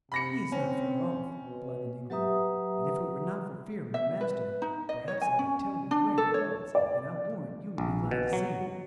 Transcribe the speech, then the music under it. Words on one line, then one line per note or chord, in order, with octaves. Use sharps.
"He is not far off," replied the negro; "and if it were not for fear of my master, perhaps I would tell you where at once, and I warrant you would be glad to see him."
C3 B5 A#6 C#7
C4 C#4
B2
F#3 G4 B4 E5 A#5 D#6
E5
B4
D#4
D#5
C#5
G#5
C#4
D4
A4
C#5
D5
A#1
B2
F#3